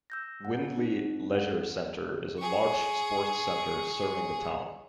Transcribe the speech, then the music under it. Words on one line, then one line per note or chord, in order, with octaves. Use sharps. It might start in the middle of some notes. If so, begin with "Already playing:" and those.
Wyndley Leisure Centre is a large sports centre serving the town.
E6 G6 A#6
F#5
C4 D#4
F#5
G#4 C#6